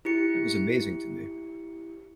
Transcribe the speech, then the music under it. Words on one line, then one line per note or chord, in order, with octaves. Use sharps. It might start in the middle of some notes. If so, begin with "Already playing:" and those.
That was amazing to me.
E4 G4 C#7